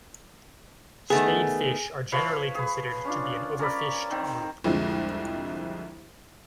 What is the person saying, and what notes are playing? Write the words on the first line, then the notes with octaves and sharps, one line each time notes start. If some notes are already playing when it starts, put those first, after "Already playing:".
Spadefish are generally considered to be an overfished group.
D#3 A3 B3 G#4
F3 B4 C#5 F5
G#4 B4
C#4 D4 F4
C#4 A#4 D5 B5
D#3 C4
C2 F2 D3 F3 G#3